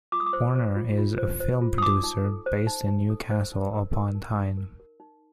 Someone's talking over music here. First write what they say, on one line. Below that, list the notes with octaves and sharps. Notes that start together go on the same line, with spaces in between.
Horner is a film producer based in Newcastle upon Tyne.
F4 D6
D#6
D6
C5
C5
F4
F4
C5
C5
F4
D#6
D#4 D6
D#4
A4
C5
D#4
D#4
A4
C5
D#4
A#4
A#4
D#4
D#4
A#4
A#4
D#4